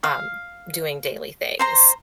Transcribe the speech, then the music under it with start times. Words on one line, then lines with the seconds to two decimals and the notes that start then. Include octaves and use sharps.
um, doing daily things.
0.04 F5
1.59 C5 A#5 C6